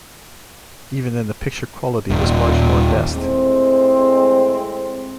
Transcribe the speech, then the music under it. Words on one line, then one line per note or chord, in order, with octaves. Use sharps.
Even then, the picture quality was marginal at best.
D#1
A2 G#3 C4